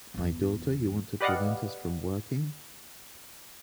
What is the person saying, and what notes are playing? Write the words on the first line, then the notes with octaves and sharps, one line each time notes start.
My daughter, you want to prevent us from working ?
G1 E2
G4 B4 D5 D#5 F5 F#5